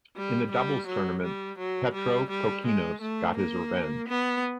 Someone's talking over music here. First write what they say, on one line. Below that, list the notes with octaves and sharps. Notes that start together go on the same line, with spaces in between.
In the doubles tournament, Petrokokkinos got his revenge.
G3
G3
F#3
G3
F#3
G3
G3
G#3
A3
A#3
B3